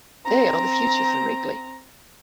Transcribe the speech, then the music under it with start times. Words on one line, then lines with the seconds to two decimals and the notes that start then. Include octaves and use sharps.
They are the future for Wrigley.
0.25 C4 A#5